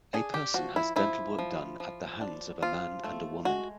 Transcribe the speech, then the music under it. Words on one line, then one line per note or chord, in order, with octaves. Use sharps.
A person has dental work done at the hands of a man and a woman.
D4 G#4
G4
F3 F#4
E4
F3 E4
F3
F3
D4
F3 F4
A3
G#3 F#4